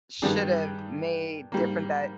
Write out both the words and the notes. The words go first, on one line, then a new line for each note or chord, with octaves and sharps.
should've made different that
G2 D#3 G3 D4 G#4
G#2 G3 A#3